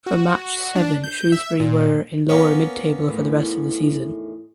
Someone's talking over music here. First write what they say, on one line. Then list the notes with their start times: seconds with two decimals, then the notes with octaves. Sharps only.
From match seven Shrewsbury were in lower midtable for the rest of the season.
0.06 F#4
0.76 D4
1.04 G6
1.32 E5
1.60 A#2
2.29 A#3 B3 C#4
3.09 E2 A2 D#3